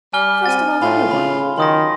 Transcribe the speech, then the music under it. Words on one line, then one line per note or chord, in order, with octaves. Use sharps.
"First of all, the new one."
G3 G#5 F6 G7
C4 A6 D#7
A2 F4 B5
C#3 B5
D#3 F#3 C6 D#6 A#6